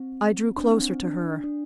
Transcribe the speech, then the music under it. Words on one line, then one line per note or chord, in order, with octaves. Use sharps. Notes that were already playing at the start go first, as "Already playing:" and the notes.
I drew closer to her.
Already playing: C4
D4
C4
D4
D4